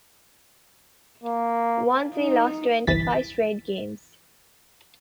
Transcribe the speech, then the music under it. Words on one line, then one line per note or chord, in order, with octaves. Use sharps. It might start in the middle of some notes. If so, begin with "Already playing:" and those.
Once we lost twenty-five straight games.
A#3
D#4
G1 C2 E3 A6 B6